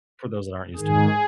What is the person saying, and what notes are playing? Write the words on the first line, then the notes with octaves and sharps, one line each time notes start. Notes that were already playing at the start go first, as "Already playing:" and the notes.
for those that aren't used to it.
G#2 D#3 G#4